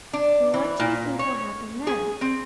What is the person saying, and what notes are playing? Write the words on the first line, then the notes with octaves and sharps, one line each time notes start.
And what do you think will happen then?
D4
E3
A#2
C#5
G#4
C4